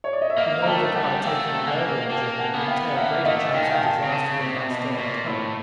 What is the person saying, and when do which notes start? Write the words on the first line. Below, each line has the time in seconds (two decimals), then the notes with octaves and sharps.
We know that by taking a railroad journey we entail greater chance of disaster than by staying at home.
0.04 C#5
0.13 D5
0.22 D#5
0.30 E5
0.37 A#3 D#5 F5
0.62 A#5
0.66 A3 G5 A5
0.95 G3 F#5 G#5
1.12 G#5
1.24 A3 F5 G5
1.66 A#3 F#5 G#5
2.10 A#3 G5 A5
2.39 F#5 G#5
2.54 B3
2.68 F5 G5
2.96 A#3 E5 F#5
3.25 A3 D#5 F5
3.54 D#3 G5
3.63 G#5
3.71 F5 G5
3.82 G5 A5
4.04 C3
4.12 C#3
4.40 C3
4.69 B2
4.98 A#2
5.27 A2
5.46 A5